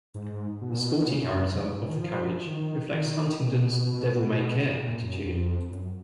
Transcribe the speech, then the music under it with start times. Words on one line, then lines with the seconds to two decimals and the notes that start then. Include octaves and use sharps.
The sporty character of the carriage reflects Huntingdon's devil-may-care attitude.
0.15 G#2
0.61 B2
0.70 A#2
0.79 B2
0.98 B2
1.08 C#3
1.31 F#2
1.54 F2
1.65 G#2
1.77 G#2
1.89 D#3
2.00 F3
2.47 D#3
2.94 D#3
3.17 D#3
3.39 B2
3.48 A#2
3.57 B2
3.86 B2
4.79 A#2
5.02 F#2
5.25 F2
5.71 F#2